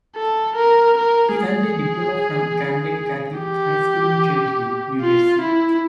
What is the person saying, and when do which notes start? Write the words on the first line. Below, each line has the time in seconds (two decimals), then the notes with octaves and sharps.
He earned a diploma from Camden Catholic High School in Cherry Hill, New Jersey.
0.16 A4
0.56 A#4
0.97 A#4
1.36 G#4
3.38 G4
5.00 F4
5.41 E4